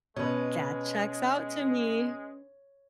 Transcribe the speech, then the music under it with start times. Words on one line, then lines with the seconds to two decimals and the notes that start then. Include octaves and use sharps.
That checks out to me.
0.16 B2 G#3 C#4 B4 C#5